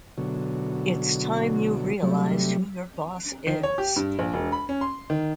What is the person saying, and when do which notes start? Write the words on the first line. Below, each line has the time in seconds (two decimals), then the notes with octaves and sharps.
It’s time you realized who your boss is.
0.18 B2 D3 F#3
2.03 C3 F#3 G3 A3
3.47 D#3
3.63 C#5
3.78 G4
3.96 G2
4.19 A#1
4.34 E1
4.52 B5
4.69 C#4
4.81 C6
5.10 D#3